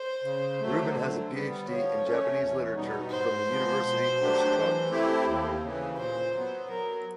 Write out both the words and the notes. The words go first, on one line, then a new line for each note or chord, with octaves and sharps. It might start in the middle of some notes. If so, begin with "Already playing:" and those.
Rubin has a Ph.D. in Japanese literature from the University of Chicago.
Already playing: C5
C#3
F#3 A3
D3
G3 B3
F3 C#5
A3 C#4
E2
B2 G3 B3 D#4
G#2 C5
F3 G#3 B3
B2
F#3 A3 D4 G4
E3
A3 C4 E4 G4
D#2
C#3 E3
A#2 C5
F#3 B3
F#3 A#4